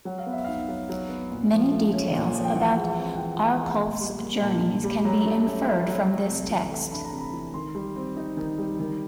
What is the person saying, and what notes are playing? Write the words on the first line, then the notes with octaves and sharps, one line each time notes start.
Many details about Arculf's journeys can be inferred from this text.
F#3 F#5
F5
B3
E5
D#4 F5
F#3 F#5
F#3
B3
A#2
F3
A3
C#4
A#2
F3
G5
E3 F#5
G#3
C4
E3 G5
F#5
E3
G5
G#3
A#2 G#5
G3
A#3
A#2 A5
A#2
G3
F#3 A#5
A3
C#4
E4
F#3
A3
C3
E3
A3
D4 B5
A#5
C3
B5
E3
D#3 C6
G3
C4
D#4
D#3
G3
D#3